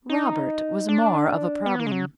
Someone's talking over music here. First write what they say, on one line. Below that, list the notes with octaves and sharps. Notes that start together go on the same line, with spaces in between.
Robert was more of a problem.
D#4
D4
B3
A#3
G#3
F#3